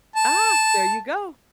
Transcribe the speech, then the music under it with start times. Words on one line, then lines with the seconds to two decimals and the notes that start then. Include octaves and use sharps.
Ah, there you go!
0.16 A5